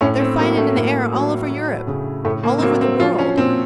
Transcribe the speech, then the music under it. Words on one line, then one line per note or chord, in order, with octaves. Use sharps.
They're fighting in the air all over Europe--all over the world.
A2 C#4
C4
F#3 A#3
A3
A2 A#3
F#3
F#3
C#3
A2 A3
A#3
C4
F#3 A#3
C4
F3 F4
C#4
A#2 C4